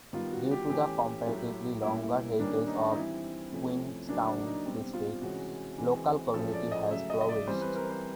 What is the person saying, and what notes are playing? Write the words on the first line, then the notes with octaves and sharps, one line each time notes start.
Due to the comparatively longer heritage of Queenstown district, local community has flourished.
D#3 G3 B3 F4
F#4
G4
E3 A3 C#4 G4
A2 F#3 A3
A#2 G3 A#3 C#4 E4
D#3 G3 A#3 C#4 D4
D#4
D#4
E3 G3 C4 E4
C3 F3 A3 C#4
C#3 F#3 A#3 C#4 D4
D4
D#4
B2 G3 C4
F4
C3 E3 G#3 C#4 F#4
E3 G#3 C4
A2 F3 G#3 C#4 A4
D5
D#5
C#3 F#3 A3 E5
D#5
D#5
D5
E3 G3 C4 C5
B4
A#4
C5